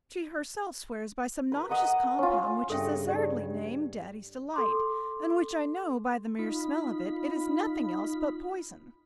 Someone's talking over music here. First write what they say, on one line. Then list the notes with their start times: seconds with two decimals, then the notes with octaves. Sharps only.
She herself swears by some noxious compound, which is absurdly named "Daddy's Delight," and which I know, by the mere smell of it, is nothing else but poison.
1.52 A#4 B4
1.69 D#5 F#5 A#5 D#6
2.19 C#4 F4
2.70 G2 C#3 A4 E5 G5
3.09 D#4 G4 D5
4.54 A4 C6 D6
6.39 D#4 F4 B5